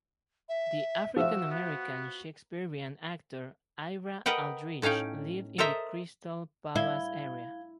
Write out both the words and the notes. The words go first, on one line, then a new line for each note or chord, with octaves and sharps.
The African-American Shakespearian Actor Ira Aldridge lived in the Crystal Palace area.
E5
F3 F#4 E5 E6
B3
A#4 B4 D#5 F#5 G5
A2 C#4 D#4 F5 G5
A4 A#4 C5 D#5 E5 A#5
E4 F5 G#6 G7